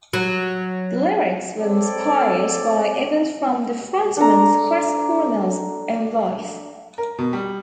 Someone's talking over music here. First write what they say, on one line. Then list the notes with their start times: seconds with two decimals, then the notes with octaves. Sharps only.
The lyrics were inspired by events from the frontman's, Chris Cornell's, own life.
0.13 F#3
1.60 C4 A4 C#5 D5
4.17 D4 A4 D5 A#5
6.98 A#4
7.19 B2
7.33 G3